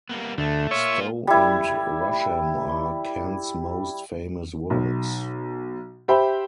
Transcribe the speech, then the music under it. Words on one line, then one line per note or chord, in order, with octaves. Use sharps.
Stowe and Rousham are Kent's most famous works.
G3 A#3 B3
D2 A3
A#3 F4 C#5 E5
G3 E4
B1
G4 C5 E5 G5 B5